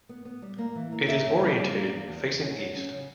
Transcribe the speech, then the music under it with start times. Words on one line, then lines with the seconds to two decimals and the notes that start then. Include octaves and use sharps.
It is orientated facing east.
0.09 B3
0.25 B3
0.42 G3
0.58 A#3
0.75 E3
0.92 A#3
1.08 A#3 E5
1.25 F#2
1.41 C#3
1.58 G3
1.74 A#3
1.91 E2
2.08 E2
2.24 E2
2.40 C#4 F#5
2.58 F#3
2.74 C#4
2.90 C#3